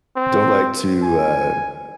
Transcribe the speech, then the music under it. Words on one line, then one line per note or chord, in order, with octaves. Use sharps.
don't like to, uh,
C4
G#5